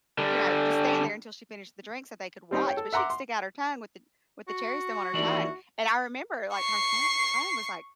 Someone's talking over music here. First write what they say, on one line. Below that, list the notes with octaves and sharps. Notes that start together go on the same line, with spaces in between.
you know, just stand there until she finished the drink so they could watch, but she'd stick out her tongue with the with the cherry stem on her tongue, and I remember, like, her fu tongue was, like,
D3 G3
G3 C4 D#4 G4
C#5 G5
A4
E5 F#5 A#5 C6 D6
C6
F#4
D#2 E3 E4 D5
C#6 C7